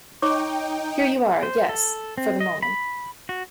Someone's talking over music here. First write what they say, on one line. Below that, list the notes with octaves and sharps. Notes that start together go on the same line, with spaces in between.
Here you are, yes — for the moment.
D#4 C#5 G5 C#6 D6
C5
A4
C4
D#5
B5
F#4